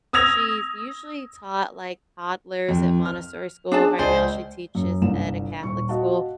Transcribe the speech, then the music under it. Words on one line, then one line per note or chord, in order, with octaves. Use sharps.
she's usually taught, like, toddlers at Montessori school. Right now she teaches at a Catholic school.
D#6 E6 G#6 A#6 F7
F2
F6
D4 G#4 A5
C#2 C5 D5 G#5
F#2
G1 C2 E7
D#1 C#6
F#4 D#5 F5 F#5 A5